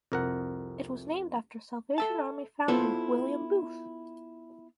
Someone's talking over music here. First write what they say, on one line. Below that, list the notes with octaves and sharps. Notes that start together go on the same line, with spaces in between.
It was named after Salvation Army founder William Booth.
C2 F2 A#4 F#5
A4 E5 A5
B3 E4 F4 A4 B4 C5